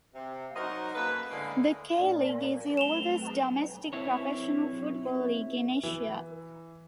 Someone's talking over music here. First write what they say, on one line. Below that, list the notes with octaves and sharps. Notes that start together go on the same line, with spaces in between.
The K-League is the oldest domestic professional football league in Asia.
C3
F#3 D#4 F#4 A#4 C5 D#5
F#2 A#3 G#4 A4 B4
A2 D3 G#3 A#3
A#2
A3 C4 E7 F7 G7
C4 E4 C#5
E3